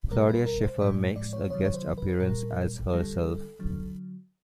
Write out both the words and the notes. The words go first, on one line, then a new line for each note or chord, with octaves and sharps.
Claudia Schiffer makes a guest appearance as herself.
B2 G3 A#4
B4
A#4
C5
A2 F3 G#3 D5
D5
C#5
C3 D#3 F#3 C#5
C#5
C5
B4
A#2 G3 A#4
D3 G3 A4
D3 F#3